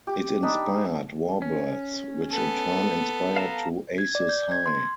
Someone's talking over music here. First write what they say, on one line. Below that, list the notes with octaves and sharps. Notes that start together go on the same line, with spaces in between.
It inspired "WarBirds", which in turn inspired to "Aces High".
G4
D4 D#4 B5
C#4
B3 A4
F5 A5 A#5
G#6
D5
G6
G#6
C6